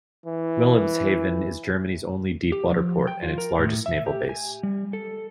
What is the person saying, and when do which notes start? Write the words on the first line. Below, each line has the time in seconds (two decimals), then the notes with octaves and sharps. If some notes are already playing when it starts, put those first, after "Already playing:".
Wilhelmshaven is Germany's only deep-water port, and its largest naval base.
0.26 E3
2.52 G4
2.70 F3
3.07 G5
3.23 F4
3.38 A#4
3.59 A2
3.86 E5
4.06 G4
4.29 G#5
4.63 G3
4.93 A4